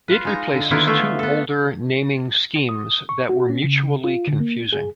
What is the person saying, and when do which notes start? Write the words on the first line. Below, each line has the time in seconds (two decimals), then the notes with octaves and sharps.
It replaces two older naming schemes that were mutually confusing.
0.08 F4 B4
0.25 G#3 D#4 A#5
0.53 D3
0.71 D3 D#3 A#3 B3 E4 F4
0.87 A3 F4 E5
1.19 B3 A4
2.69 D#6
3.09 C#6
3.29 F#4
3.50 C#4
3.64 C#3
4.04 F4
4.27 D3
4.40 A#3
4.73 G#4